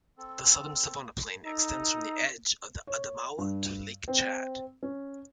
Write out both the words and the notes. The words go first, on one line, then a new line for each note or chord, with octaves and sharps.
The southern savanna plain extends from the edge of the Adamaoua to Lake Chad.
C4 A4
D#4 A4 A#5
C#5
G2
C4
C#4